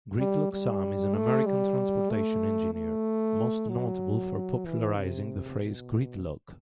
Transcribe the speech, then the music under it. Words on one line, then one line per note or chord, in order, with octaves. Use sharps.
Gridlock Sam, is an American transportation engineer, most notable for popularizing the phrase "gridlock".
G3
G3
A3
G3
A3
A3
F#3
E3
C3
B2